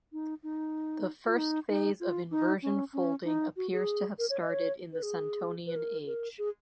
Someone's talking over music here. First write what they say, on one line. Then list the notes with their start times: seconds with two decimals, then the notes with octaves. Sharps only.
The first phase of inversion folding appears to have started in the Santonian age.
0.12 D#4
0.43 D#4
1.26 F4
1.37 D#4
1.69 D#4
2.00 F4
2.31 D#4
2.62 C#4
2.93 C#4
3.25 D#4
3.56 F#4
3.72 G#4
4.19 A#4
4.30 C#5
4.41 D#5
4.50 C#5
4.93 B4
5.03 G#4
5.67 B4
5.76 A#4
6.07 A#4
6.38 G#4